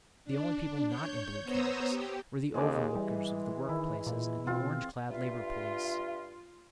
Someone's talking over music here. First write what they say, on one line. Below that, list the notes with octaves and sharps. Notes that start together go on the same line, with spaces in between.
The only people not in blue canvas were the overlookers of the work-places and the orange-clad Labour Police.
D4
C#5 G6
B3 C5 C#5 A#5 D#6 E6
G4
D#2 G#3 G#4 D6
E3 G3
D#3 E4
A#2
B2 C4 F4
G2 F4 E5